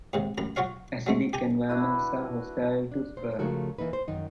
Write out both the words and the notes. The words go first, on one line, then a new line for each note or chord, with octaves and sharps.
Acidic environments are hostile to sperm.
D#2 G#2 C3
A1 F#2 A#5
F#3 F4 F#4 C#5 F5
F#3 G#3 A3
G4 G#5 A#5
D4 E4 F#4 B4
D4
A#2 C5
C#3 F3 A3 F#4 A#4
E3 A#3 D#4 B4
C5
F#2 D#3 D#4